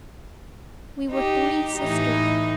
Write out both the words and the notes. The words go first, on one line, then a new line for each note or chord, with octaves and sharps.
We were three sisters.
D#4 G4
A2 E3 D#4